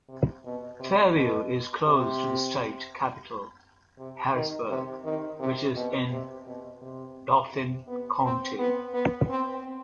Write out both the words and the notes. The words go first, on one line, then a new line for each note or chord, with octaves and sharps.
Fairview is close to the state capital, Harrisburg, which is in Dauphin County.
C3
B2
C3
B2
C3
C3
D#3
C3
D#3
C3
B2
C3
B2
C3
C3
B3
C4
B3
B3
C4